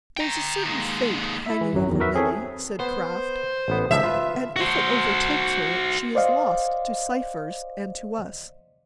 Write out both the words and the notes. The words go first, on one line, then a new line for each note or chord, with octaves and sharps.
"There is a certain fate hanging over Milly," said Kraft, "and if it overtakes her she is lost to Cypher's and to us."
G5 A#5
D#2 G#3
E4 E5
E3
G#1 F#2 F#3
E2 D#3
F#4 A#4 B4 E5
C4 G#4 A4 C#5
B3 C5
A1 B3
C#2 F3 C5 E5
F4 B4
F#4 C5
C5 D5 D#5 F5